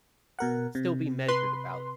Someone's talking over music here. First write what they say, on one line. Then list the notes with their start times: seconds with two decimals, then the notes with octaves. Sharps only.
still be measured about it.
0.39 B2 A#4 F#5
0.75 C3
1.28 B4 C6